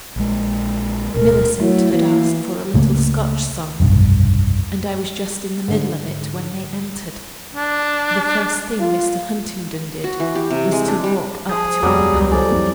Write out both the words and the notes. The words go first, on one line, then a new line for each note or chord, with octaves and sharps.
Milicent had asked for a little Scotch song, and I was just in the middle of it when they entered. The first thing Mr. Huntingdon did was to walk up to Annabella.
A#1 G#3
D1 B2 A#4
F#3 A3 E4
E3 A#3
C#2 C#3 A3 A#3
F1 B1 G2
G#2 D3
D4
F4
F#4
E3
G4
C3
G#3
D4
G3
F3 G#4
E1 F2 F#3 G3 D6
C#2
A4 C5 D5 G#5
F2 C4 E4